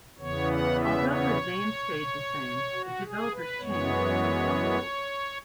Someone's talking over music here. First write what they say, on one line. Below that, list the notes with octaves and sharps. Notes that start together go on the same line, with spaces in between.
Although the name stayed the same, the developers changed between consoles.
E2 C#3 E3 B3 C#5
F#5
E5
C#5
F#4
G#4
B4
F#2 E3 G#3 B3 C#5